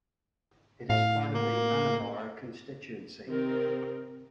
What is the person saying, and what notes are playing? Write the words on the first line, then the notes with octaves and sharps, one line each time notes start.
It is part of the Anabar Constituency.
A2 F5
A#3
C3 D#3 C4 A#4